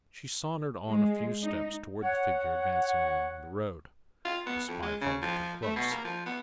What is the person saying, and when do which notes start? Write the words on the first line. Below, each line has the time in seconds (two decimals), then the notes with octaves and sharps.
She sauntered on a few steps toward the figure advancing along the road. The spy followed her close.
0.88 G#3
1.43 D#4
2.03 C#5 F#5
4.25 F4
4.46 B3
4.68 F2
4.82 G#3
5.01 C#3
5.22 F3
5.63 A3
5.76 B2
5.91 A#3
6.05 F3
6.26 B3